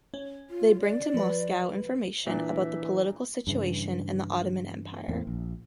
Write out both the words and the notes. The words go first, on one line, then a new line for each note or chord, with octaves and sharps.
They bring to Moscow information about the political situation in the Ottoman Empire.
C#4
F4
D5
F3 B4
A#2 E3 D4 E5
G2 C#3 E3
E2 A2 A#3 C4
A#1